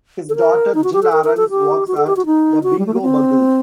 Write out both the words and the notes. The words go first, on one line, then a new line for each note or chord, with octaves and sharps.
His daughter, Jill Arons, works at "The Bingo Bugle".
A4
A#4
D#4
F#4
G4
A4
A#4
A#4
A4
G4
F#4
A4
G4
F#4
D#4
F#4
G3
A3
A#3
C4